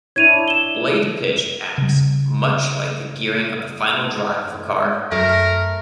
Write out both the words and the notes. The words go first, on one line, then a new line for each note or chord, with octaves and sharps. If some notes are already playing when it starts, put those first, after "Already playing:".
Blade pitch acts much like the gearing of the final drive of a car.
D4 E4 C#5 G#6 D#7 F7
E7 G7
C#3 G3
F#2 A3 A#4